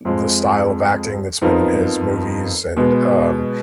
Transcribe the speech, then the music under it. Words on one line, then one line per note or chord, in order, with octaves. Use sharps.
the style of acting that's been in his movies and, um,
F2 F3 G#3
F2 F3 B3 D#4 A#4
B2 G#3 B3